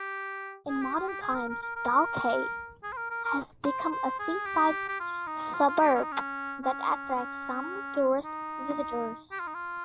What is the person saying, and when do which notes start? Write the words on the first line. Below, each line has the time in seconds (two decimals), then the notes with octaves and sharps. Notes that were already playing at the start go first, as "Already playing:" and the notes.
In modern times, Dalkey has become a seaside suburb that attracts some tourist visitors.
Already playing: G4
0.69 G#4
0.82 G4
0.95 F4
1.09 G4
1.22 G#4
1.35 A#4
1.50 A#4
1.62 A#4
1.76 A#4
2.84 G#4
2.92 C5
2.97 A#4
3.11 A#4
3.25 A#4
3.66 C5
3.92 C5
4.19 G#4
4.46 G4
4.89 G4
5.00 F4
5.27 D#4
5.54 F4
5.68 F4
5.81 G4
5.95 C#4
6.03 D#4
6.12 C#4
6.63 C#4
7.16 C#4
8.24 D#4
9.32 G4
9.40 F4
9.47 D#4
9.55 F4